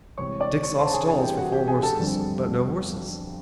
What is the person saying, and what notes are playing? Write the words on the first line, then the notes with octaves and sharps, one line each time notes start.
Dick saw stalls for four horses, but no horses.
C2 C3 E3 G#3 C4 C#5 C#6
D5 D6
C#5 C#6
C5 C6
A5
G#4 G#5
G2 E3 G3 C4 E4 G#4 G#5
G4 G5
F#4 F#5
G4 G5
G#4 G#5
A4 A5
G1 F2 D3 G3 C4